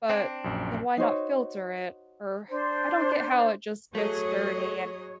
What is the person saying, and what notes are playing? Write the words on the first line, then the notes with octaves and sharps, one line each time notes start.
but then why not filter it, or I don't get how it just gets dirty and
C4 D4
A#1 F#2
D#4 F#4 C5 C#5
D4 C5
F#3 A3 G#4 C#5 D#5